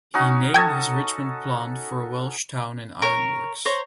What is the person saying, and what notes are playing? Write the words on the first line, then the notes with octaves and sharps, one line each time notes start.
He named his Richmond plant for a Welsh town and iron works.
C#4 D#4 F#4
A4 D#5 G5 A5 G#6
A#4 C#5
C5 C#5 A#5